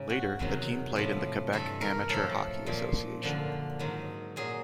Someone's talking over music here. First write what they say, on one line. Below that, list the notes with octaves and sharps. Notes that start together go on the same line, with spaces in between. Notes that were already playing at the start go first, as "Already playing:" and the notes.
Later the team played in the Quebec Amateur Hockey Association.
Already playing: G#2 C#3
F#4
E2 C3 D#3 F#3
A2 F3
G2 E3 A4
A#4
A2 F3 A4
A#2 F3
F#2 D3 F3
G#2 D#3 F#3
A#2 F#3 G#4